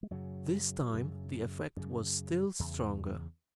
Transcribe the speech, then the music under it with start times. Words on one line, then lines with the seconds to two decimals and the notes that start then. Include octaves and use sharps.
This time the effect was still stronger.
0.03 G#3
0.11 F#2 C#3 F#3
0.94 F#2 C#3
1.76 F#2 C#3
2.59 E2 C#3